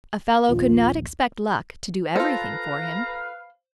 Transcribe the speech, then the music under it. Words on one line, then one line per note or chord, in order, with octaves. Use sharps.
A fellow could not expect Luck to do everything for him.
A#1 D#2 F4
F4 A4 B4 C5 F5 A#5